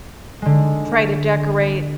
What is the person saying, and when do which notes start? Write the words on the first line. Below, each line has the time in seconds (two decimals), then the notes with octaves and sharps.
try to decorate
0.42 D3 G#3